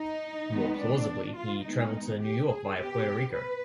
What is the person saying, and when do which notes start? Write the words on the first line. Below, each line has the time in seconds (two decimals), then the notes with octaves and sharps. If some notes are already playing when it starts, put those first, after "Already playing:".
More plausibly he travelled to New York via Puerto Rico.
Already playing: D#4
0.49 D#3 G#3 B3
0.78 D4
1.35 F4
1.64 D#3 G#3 B3 D#4
2.21 G4
2.50 G#4
2.78 B2 B3 G4
3.34 B4